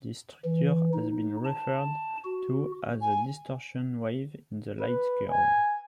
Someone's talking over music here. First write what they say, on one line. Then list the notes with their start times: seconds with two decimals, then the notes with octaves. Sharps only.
This structure has been referred to as a distortion wave in the light curve.
0.44 E3
0.93 D#4
1.45 A5
2.24 F#4
3.01 G#5
4.80 B4
5.30 G#5